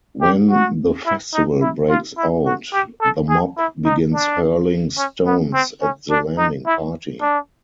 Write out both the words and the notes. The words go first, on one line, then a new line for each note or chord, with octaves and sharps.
When the "Festival" breaks out, the mob begins hurling stones at the landing party.
G4
F#4
E4
D#4
E4
F4
E4
F#4
G4
A4
G#4
E4
D#4
D4
C#4
B3
C4
C#4
D4
D#4
E4
D4